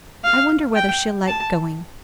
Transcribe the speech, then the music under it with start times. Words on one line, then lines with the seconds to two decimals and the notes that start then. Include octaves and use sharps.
I wonder whether she'll like going.
0.24 F5
0.75 G5
1.27 A5